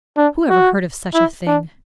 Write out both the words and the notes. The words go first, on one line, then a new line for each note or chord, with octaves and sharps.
Who ever heard of such a thing!
D4
F#4
E4
D4